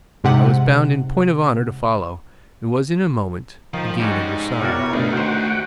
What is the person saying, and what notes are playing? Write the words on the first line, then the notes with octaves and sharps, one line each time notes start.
I was bound in point of honour to follow, and was in a moment again at her side.
G#2 C3 F#5
D#3 F3
G3 G#3 C#4 D#4 F#4
B2 G3 E4 F#4 A#4 C#5 D5
G1 A3 D4 D#4
D#3 F#4 C5 F#5 G5